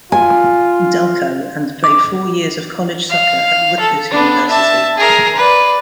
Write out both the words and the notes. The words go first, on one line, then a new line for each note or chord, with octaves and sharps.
Delco, and played four years of college soccer at Rutgers University.
F4 G#5
D6
F5
A4
B3 D4
E5 A5
G#4 A#4
B4 D5